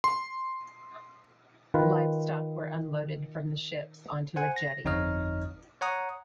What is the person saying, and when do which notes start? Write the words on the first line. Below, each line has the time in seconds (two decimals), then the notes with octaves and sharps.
Livestock were unloaded from the ships onto a jetty.
0.04 C6
1.74 D#3 F4 B4
4.36 C5 F#5 G#5
4.56 A#6
4.85 G1 F2 D#4 C#5 D#5 F6
5.81 C#5 F#5 A#5 D#6